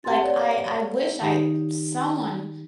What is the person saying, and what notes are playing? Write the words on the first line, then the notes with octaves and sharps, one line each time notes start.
Like, I I wish I someone
C4 G4 F#5 G#5 C6 A6
B4 C#5 D5
F5
D#3 D#4 G4